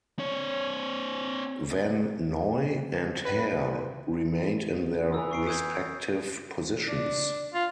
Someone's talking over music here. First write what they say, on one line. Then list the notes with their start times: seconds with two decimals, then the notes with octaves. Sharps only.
Van Noy and Hare remained in their respective positions.
0.19 C4 C#5
3.25 B4
5.13 E3 D#6 E6
5.31 C#6 C7 D7
5.47 D#6 G6 G#6
6.87 D4
7.54 F4